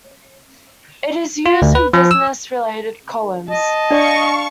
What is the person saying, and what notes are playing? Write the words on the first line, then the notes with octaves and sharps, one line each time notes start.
It is used in business-related columns.
F4
D2
B4
F3
E6
D#5 A5
D4 D5 F5 C#6